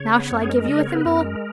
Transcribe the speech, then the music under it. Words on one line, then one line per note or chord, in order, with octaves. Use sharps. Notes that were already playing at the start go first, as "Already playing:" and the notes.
"Now shall I give you a thimble?"
Already playing: C#3 C#5
B3
F#2
G#4
G#3 A#4
C#3 D#5
C#5
B3
B4
F#2 A#4
G#3